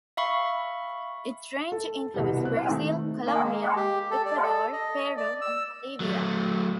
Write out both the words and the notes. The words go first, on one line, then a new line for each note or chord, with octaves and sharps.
Its range includes Brazil, Colombia, Ecuador, Peru, and Bolivia.
E5 F5 B5 C#6
A4
C2 B2 G3
C4 F#6
D#3 A3
A#3
G#3
G4
A4
D5
A4
D#5
D5
E6
F#3 A3